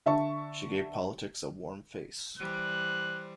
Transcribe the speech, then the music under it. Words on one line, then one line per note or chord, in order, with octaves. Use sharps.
She gave politics a warm face.
D3 E5 A5 C#6
E3 G3 C5 F#6